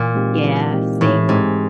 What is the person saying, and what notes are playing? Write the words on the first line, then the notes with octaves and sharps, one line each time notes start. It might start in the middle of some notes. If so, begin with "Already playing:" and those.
Yeah, same.
Already playing: A#2 E3
G#3 C4 D#4 G4
E3
G#3 C4 D#4 G4
A2 E3
G#2 G#3 C4 D#4 G4